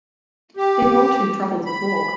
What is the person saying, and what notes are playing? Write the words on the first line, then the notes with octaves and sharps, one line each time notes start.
They were all too troubled to talk.
G4
B5